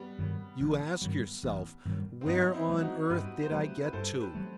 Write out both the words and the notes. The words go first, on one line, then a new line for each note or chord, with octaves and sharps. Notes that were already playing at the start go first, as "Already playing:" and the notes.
You ask yourself, Where on earth did I get to?
Already playing: G3 B3
G2 D#3 F#3
A1
G2 D#3 F#3
A1
G2 D#3 F#3
C4
G2 B3 D#4
C4 E4
F#3 A3
D#4 F#4
G2 G4 B4
C5
F#3 A3 G4 B4
B4
G2 A4 C5
G4 B4
F#3 A3